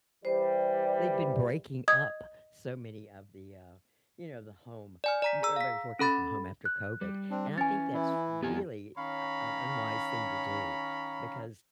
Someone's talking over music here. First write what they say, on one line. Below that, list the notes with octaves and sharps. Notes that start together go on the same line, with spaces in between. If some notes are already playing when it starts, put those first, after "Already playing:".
They've been breaking up so many of the, uh, you know, the home w everybody was working from home after COVID, and I think that's really a an unwise thing to do because
E3 G3 C5
D#5 D#6 G#6
D5 G#5 F6
D5 A#5 B6
G#4 A#5 E6
F5 B6
C#4 A4 B5 A6
F#6
G3
C4 D4
E3 C#4 G#5 A6
E3 E4
F2 B3 E4 G4 G#5
D#3 C#4 C#5 F5 A#5 B5